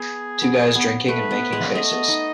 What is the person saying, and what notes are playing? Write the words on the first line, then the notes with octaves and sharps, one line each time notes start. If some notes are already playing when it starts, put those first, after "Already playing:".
Two guys drinking and making faces.
Already playing: B3 G#4
B3
B3
A3 B4
B3
G#3
A3 D#5
B3
D#4